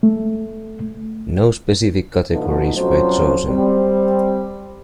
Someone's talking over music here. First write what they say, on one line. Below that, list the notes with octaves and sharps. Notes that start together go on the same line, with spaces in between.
No specific categories were chosen.
A3
B2 D3 F3 A3 B3 D#4
F2 B2 F3 F#3 C#4 C5
G3 C4